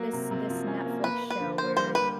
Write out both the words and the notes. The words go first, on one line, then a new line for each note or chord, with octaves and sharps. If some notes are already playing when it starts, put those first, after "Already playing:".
this this Netflix show where
Already playing: F#3 A#3
C3
C3
F3
C#4
A#3
A#3 B4
A#3
B4
D3
A#3 C5
G3 C5
G3 B4